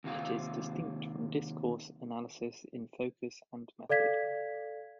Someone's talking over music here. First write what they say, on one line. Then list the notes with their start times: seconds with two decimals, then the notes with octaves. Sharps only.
It is distinct from discourse analysis in focus and method.
0.04 D#2 C3 F4 F5
3.89 A4 D5 F5 G#6 B6